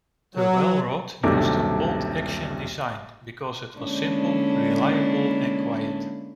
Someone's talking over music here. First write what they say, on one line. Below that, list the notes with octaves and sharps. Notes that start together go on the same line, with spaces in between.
The Welrod used a bolt-action design because it was simple, reliable and quiet.
F#3
D#1 B1 G2 C3 A3 D6
D3 G#3 A#3 C#4 D4 E4